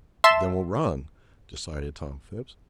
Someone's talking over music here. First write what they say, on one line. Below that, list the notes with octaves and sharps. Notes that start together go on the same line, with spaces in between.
"Then we'll run," decided Tom Phipps.
E5 A5 C6 E7